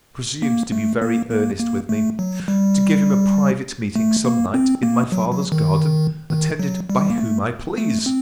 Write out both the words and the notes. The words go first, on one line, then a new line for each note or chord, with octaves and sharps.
He presumes to be very earnest with me, 'to give him a private meeting some night, in my father's garden, attended by whom I please.'
A#3
A3
A#3
A#3
A#3
A3
F#3
G3
A3
A#3
C4
A#3
F#3
F#3
D#3
D#3
F#3
G3
A#3
A3
A3
C4